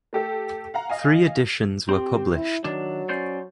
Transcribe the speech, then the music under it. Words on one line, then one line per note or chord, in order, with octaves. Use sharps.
Three editions were published.
A3 G4 A4
F5 F#5 A#5
D#5 F5 G#5
C4 G4
E4
D#3 F#3 D4
C#4 C5 D5